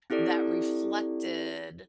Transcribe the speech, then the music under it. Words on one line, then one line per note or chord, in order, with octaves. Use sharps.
that reflected
C4 E4 G4 A4 D5